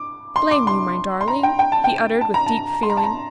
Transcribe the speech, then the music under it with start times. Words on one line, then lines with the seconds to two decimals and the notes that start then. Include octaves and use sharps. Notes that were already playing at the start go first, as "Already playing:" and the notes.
"Blame you, my darling," he uttered with deep feeling.
Already playing: D6
0.36 C6
0.51 D6
0.67 C6
1.21 C6
1.28 A#5
1.43 G5
1.59 G5
1.72 A5
1.84 G5
2.21 A5
2.34 A#5
2.46 A5
2.83 C6
2.90 A#5
2.97 A5
3.04 A#5